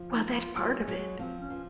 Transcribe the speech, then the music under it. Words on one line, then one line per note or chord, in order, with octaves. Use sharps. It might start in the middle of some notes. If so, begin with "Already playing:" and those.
Well, that's part of it.
Already playing: F3
D#4
F4
F#3 F4
G#3
F#3
G#3
F3 C4
C#4
F3